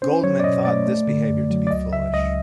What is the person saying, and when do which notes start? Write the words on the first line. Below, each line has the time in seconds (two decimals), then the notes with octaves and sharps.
Goldmann thought this behavior to be foolish.
0.02 C#4 C5
0.24 F#3 C#5
0.40 D5
0.44 B2 D#5
0.65 A3 D5
0.87 A3
1.08 D3
1.29 F#2
1.51 F#3
1.67 D5
1.71 C#2 D#5
1.93 C#3 E5
2.13 C#2 D#5